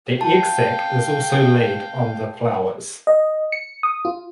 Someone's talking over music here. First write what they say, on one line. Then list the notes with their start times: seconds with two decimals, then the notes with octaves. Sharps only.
The egg sac is also laid on the flowers.
0.21 F5 G5 A5
3.07 D#5
3.52 C#7
3.83 D#6
4.05 F4